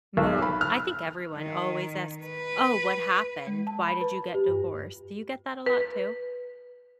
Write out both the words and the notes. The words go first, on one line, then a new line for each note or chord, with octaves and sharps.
mo I think everyone always asks, "Oh, what happened? Why did you get divorced?" Do you get that a lot too?
B1
B5
F6
D#3
B4
G#3
A5
B5
B4
G4
G2
B4